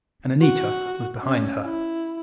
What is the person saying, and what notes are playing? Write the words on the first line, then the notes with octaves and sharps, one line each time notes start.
And Anita was behind her.
F#4
C#4
E4